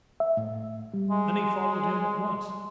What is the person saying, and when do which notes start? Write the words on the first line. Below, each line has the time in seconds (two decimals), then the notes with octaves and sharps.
Many followed him at once.
0.20 E5
0.37 A2
0.94 G3
1.11 G#3